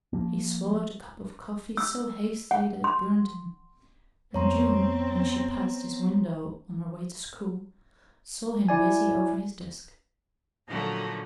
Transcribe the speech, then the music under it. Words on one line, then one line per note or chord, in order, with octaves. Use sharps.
He swallowed a cup of coffee so hastily that it burned him, and June, when she passed his window on her way to school, saw him busy over his desk.
F3 A#3
E6
F#5
C6
F2 B3 C4 C#5 A#5 C6
E4 D5 G#5
A#2 D3 D#3 F3 F#3 A3